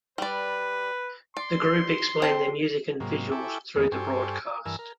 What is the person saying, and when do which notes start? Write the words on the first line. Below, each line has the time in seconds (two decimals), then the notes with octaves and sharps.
The group explained their music and visuals through the broadcast.
0.18 G3 B4 D5
1.37 D5 C6
2.22 C4 A5
3.00 G#2 C3 F#3 A#3
3.32 E4 A4 G5 G#5 C#6 D6
3.76 F2 D#3 G#3 A#3 B3
3.92 G2 G4 A4 C5 G#5 C#6
4.66 G2 E3 A#4 G#5 E6
4.79 A#4